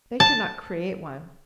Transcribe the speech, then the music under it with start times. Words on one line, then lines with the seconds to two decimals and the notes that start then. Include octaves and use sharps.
They cannot create one.
0.20 A5